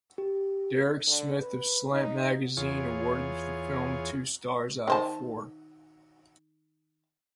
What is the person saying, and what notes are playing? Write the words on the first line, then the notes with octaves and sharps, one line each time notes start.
Derek Smith of "Slant Magazine" awarded the film two stars out of four.
G4
D3
B4
D#4
E2 F4 G#4 C#5
D#3 C5 A5